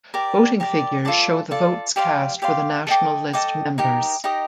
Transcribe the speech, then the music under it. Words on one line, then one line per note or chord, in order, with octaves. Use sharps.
Voting figures show the votes cast for the national list members.
G4 A#4 D5
G4 A#4 D5
F4 A4 D5 A5
F4 A4 D5 A5
G4 D5 F5 C6
G4 D5 F5 C6
A4 D#5 G5 D6
A4 D#5 G5 D6
D#4 G4 A#4 D#5
D#4 G4 A#4 D#5